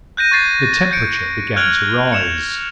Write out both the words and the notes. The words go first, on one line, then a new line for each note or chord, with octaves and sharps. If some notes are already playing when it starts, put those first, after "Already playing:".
The temperature began to rise.
F#6 G6 A#6 D#7
C#6 G#6 A6 C7 D#7
G6 A6 C#7 D7
F6 F#6 G#6 D7 F7 F#7
C#7 E7 F7